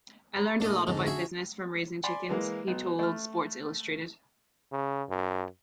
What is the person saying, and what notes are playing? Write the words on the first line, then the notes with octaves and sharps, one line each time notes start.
"I learned a lot about business from raising chickens," he told Sports Illustrated.
A#5 B5
A#2 A3 D4 D#4 D#5
F2 G#2 D3
D4 F#4 G#4 E5
D5 G#5 B5 C6
E3 G#3 A#3
B1
A3 F6
C#3
F#2